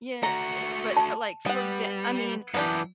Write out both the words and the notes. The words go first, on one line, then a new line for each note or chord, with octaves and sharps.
Yeah, eh but but, like, for exa I mean,
A3 F#4 A#5
A5
G3 B3 F#5
F#2 E3 B3 D4 G4